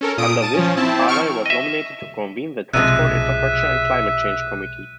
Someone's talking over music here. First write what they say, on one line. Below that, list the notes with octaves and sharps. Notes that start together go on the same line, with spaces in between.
Under this, Harvie was nominated to convene the Transport, Infrastructure and Climate Change Committee.
C#4 A4 A#4
A#2 D#6 D7
A5 A6 D#7
F3 C#4
C4 E4 A5
C4 C#6 F6 D7
D#5 E5
B1 C3 F3 G#3 E5 F#6 D#7